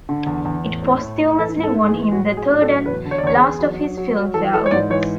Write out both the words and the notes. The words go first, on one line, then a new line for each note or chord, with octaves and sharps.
It posthumously won him the third and last of his Filmfare Awards.
D3
E2
E2
A2
A2
A2
A2
E3 A4
G#2
A4
G#2
A4
G#4
E3
A2 F#4
F#3
G#4
A2
A4
F#3
E2 B4
D3
C#5
D5
E2 C#5
G#4
E2
F#3
F#3
F#3
F#3
E3 A4
E3 A4
C#5
G#2 D5
E3 C#5